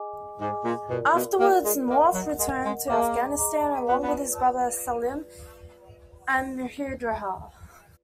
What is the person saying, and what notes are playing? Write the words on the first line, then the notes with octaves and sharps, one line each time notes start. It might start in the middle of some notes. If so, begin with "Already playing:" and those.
Afterwards, Nawaf returned to Afghanistan along with his brother Salem, and Mihdhar.
Already playing: G#4 D#5 G#5 D6
G#2 G#4 D#5 G#5 D6
A#2
B2 F4 A#4 D5
B2
A#3 F4 A#4 D5
G#3
A#3 A#4 D#5 F#5
F#3
G#3 A#4 D#5 F#5
G#3
A#3 G#4 D#5 A#5 D6
G#4 D#5 A#5 D6
B3 F4 B4 D5
B3